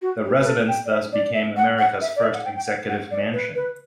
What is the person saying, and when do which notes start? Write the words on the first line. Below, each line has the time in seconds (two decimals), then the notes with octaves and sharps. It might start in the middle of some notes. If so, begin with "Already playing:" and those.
The residence thus became America's first executive mansion.
0.02 F#4
0.24 G4
0.36 B4
0.46 A4
0.68 G5
0.85 D5
0.90 E5
1.12 D5
1.34 E5
1.56 F#5
1.78 F#5
2.01 E5
2.16 D5
2.23 E5
2.34 F#5
2.45 G5
2.56 G5
2.67 F#5
2.89 F#5
3.11 D5
3.33 B4
3.55 B4